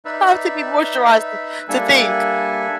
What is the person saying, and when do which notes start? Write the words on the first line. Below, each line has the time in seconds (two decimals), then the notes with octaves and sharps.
I have to be moisturized, to to think.
0.05 D#4 B4 D5 E5
1.69 G3 A#3 D4 A4 E5 G#5